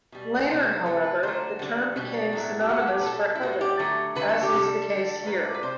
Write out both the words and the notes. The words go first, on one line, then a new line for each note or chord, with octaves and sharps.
Later, however, the term became synonymous for heaven, as is the case here.
B2 G3
B4
C3 G3 C5
C3 E3 A3 A4
B4
D3 F#3 A3 C5
D3 G3
B2 G3
A2 F#3 A3
G4
A2 F#3 A3 F#4
A4
G4
B4
B2 G3 A4
E4
A2 G3 F#4
G4
D3 F#3 A3
D3 F#3 A3 B4
A4
G4
C3 G3 A4
D3 G3
A2 F#3 A3 B4
D5
B4
C3 C5